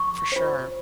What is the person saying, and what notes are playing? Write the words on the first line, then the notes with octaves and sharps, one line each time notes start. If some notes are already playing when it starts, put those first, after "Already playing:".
For sure.
Already playing: C#6
F4 C5